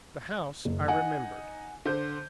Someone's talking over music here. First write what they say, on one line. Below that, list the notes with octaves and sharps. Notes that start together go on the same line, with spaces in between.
The house I remembered.
F#1
D#4 F#5 G#5
D3 C5 G6